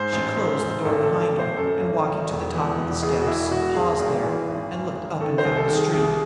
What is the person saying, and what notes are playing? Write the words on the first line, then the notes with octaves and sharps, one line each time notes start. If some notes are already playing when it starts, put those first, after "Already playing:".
She closed the door behind her and, walking to the top of the steps, paused there and looked up and down the street.
Already playing: G#2 C5
A1
G#2
A1
G#1 A4
A4
G#1
A4
G#1
C5
F#2 A4
G#1
G#1
E1
E2
E1
E1 G#4
F#4
E1 E4
E1 F#4
G#1 G#4
G#1
E3
G#1
G#1
G#1
D#3 A4
C5
C2
A4
D#3
G#4
C2 G#4